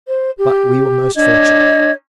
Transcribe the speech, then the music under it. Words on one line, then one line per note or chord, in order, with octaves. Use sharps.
But we were most fortunate.
C5
G4
D4 C#5 D#5 G#6